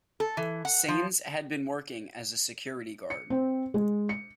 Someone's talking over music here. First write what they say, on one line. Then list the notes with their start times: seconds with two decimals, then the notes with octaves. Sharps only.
Sanes had been working as a security guard.
0.20 A4
0.37 E3
0.65 F#5
0.88 F3
3.10 C#7
3.30 C4
3.74 G#3
4.09 C#7